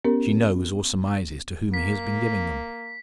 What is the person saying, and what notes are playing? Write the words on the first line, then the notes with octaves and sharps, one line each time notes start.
She knows, or surmises, to whom he has been giving them.
B3 C#4 G4 A#4
A#3 B6